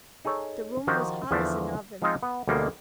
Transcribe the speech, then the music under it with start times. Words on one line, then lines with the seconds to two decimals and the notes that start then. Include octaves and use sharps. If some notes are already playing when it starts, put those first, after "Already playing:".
The room was hot as an oven.
0.25 D#4 G#4 A4 C#5
0.87 D#3 F3 F#4 G4 C5
1.31 E2 D3 F3 A3 D4 E5
2.02 F3 G#3 C4 D#4 F4
2.23 B3
2.48 D2 B2 G3 G#3 A#3